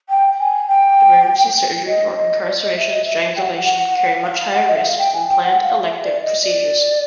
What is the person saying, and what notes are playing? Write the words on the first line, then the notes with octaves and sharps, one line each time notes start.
Emergency surgery for incarceration and strangulation carry much higher risk than planned, "elective" procedures.
G5
G#5
G5
D#5
D#5
D5
D#5
E5
D#5
E5
G5
F#5
F#5
F5
F#5
D#5
E5
F5
G5
G#5
G5
F#5
F5
E5
D5
D#5
D5